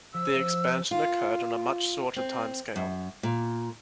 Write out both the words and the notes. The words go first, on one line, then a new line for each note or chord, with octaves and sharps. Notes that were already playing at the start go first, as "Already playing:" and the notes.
The expansion occurred on a much shorter timescale.
F3 E6
F4
C4
F#2
A#2